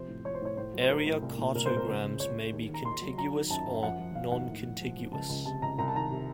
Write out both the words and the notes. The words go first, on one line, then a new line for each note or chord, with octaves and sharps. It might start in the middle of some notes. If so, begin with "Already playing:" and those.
Area cartograms may be contiguous or noncontiguous.
Already playing: C3 F3 C5
A2
F3 C#5
C5
A2 C#5
A2 C5
F#3
C5
A2 A#4
A2
C2
A#2
C2 A#4
C5
C2
A#4
C#2 C5
C#3
C#2 C#5
C#3
D#2
D#3
A#5
D#2 C6
F#3
F#3 A#5
D#3
F#2 A5
F#2
F3 F#5
F3
F3 F5
D#2 F#5
A2
F3
F3
F3
C#2 A5
C#2
C3 A5
C#2 A#5
C2 A#5
A5
D#3 A#5
C3